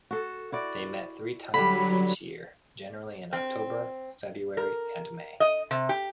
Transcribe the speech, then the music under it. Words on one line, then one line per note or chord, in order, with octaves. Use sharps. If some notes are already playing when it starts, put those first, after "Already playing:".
They met three times each year, generally in October, February and May.
F#4 A4
E4 F#4 D5
D3 F#3 G3 B5
C4
A#4
D#5
C3
G4